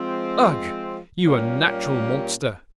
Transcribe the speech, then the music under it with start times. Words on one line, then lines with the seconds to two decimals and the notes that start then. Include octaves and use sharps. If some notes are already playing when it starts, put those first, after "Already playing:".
'Ugh! you unnatural monster.'
Already playing: F3 G#3 C4
1.25 A#2 G3 A#3 C#4 G4